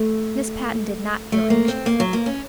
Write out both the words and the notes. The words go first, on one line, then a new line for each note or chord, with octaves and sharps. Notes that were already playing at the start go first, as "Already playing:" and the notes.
Miss Patten did not feel anxious.
Already playing: A3
A3
A#3
C4
A#3
F#3
A#3
C#4